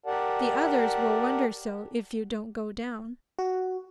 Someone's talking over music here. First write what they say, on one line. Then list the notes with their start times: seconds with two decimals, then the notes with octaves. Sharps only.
The others will wonder so if you don't go down.
0.06 G4 A#4 D5 F#5 A5
3.39 F#4